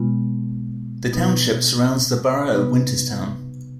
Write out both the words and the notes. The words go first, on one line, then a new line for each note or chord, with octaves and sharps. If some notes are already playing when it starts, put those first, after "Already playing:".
The township surrounds the borough of Winterstown.
Already playing: B2 G#3 B3 F4
B2 B3 D#4 B4
C3 G3 B3 D#4 B4